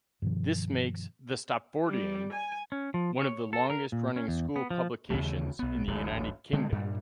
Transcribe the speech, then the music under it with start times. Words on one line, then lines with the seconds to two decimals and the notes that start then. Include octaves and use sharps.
This makes "The Stopfordian" one of the longest-running school publications in the United Kingdom.
0.22 G2 B2 D#3 F3
1.87 G3
2.33 G#5
2.72 C#4
2.94 F3
3.19 C#5
3.53 A4
3.70 A#4
3.92 A#2
4.16 C#4
4.28 E2
4.56 B3
4.70 F3
5.10 D#2 C#3 E3 A3
5.59 B1 B3
5.88 D1 A1 G#2 D3
6.53 D3 G#3 A3 C4
6.72 G2 A#2 G3